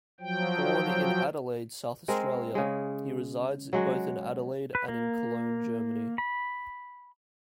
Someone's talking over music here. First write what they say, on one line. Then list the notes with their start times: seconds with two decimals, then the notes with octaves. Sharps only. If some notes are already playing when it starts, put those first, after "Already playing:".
Born in Adelaide, South Australia, he resides both in Adelaide and in Cologne, Germany.
0.20 F3 F#3 G5
2.08 G#3 C4 A#4
2.55 C#3 G#3
3.73 F#3 G#3 F#4
4.75 B4
4.88 A#3
6.18 B5